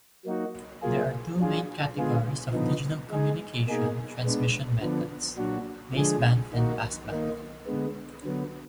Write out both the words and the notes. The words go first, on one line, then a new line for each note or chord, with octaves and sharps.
There are two main categories of digital communication transmission methods: baseband and passband.
F#3 A#3 D#4 F#4
F#3 A#3 F4 G#4
F#3 D4 F4 G#4
D3 G#3 B3 F4 G#4
D3 F3 B3 D#4
G#3 D#4 G#4
B2 A#3 D#4 G#4
G#3 B3 D4
D3 F3 B3 D4
A#2 F#3 D4 F#4
D3 F3 G#3 D4 G#4
D#3 A#3 D#4 F#4
D#3 A#3 D#4
D3 G#3 B3
D3 F#3 B3